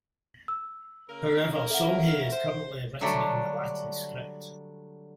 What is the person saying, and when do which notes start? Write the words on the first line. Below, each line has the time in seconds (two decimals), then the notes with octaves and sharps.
However, Songhay is currently written in the Latin script.
0.48 E6
1.08 C#3 A#3 A#4
1.70 A4 E5 F#5
2.31 C5
3.01 D3 F#3 G3 A3 D4